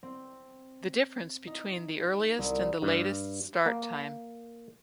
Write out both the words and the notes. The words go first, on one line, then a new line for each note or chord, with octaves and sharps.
The difference between the earliest and the latest start time.
C4
D#4
C2
G2
A#3